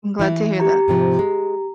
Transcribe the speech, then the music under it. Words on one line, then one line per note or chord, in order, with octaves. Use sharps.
I'm glad to hear that.
E3 E4
G4 A#5
G#2 C3 F3
G#3